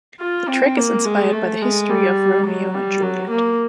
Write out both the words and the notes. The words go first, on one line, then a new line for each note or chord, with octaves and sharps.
The track is inspired by the history of "Romeo and Juliet".
F4
C4
A#3
G#3
A3
G#3
G3
F#3
G3
F#3
A#3